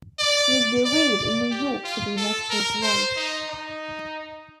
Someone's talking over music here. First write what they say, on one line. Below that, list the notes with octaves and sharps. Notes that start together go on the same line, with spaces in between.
He was buried in New York City next to his wife.
D5
D5
D5
G4
F4
A4
A#4
C5
D#4
D#4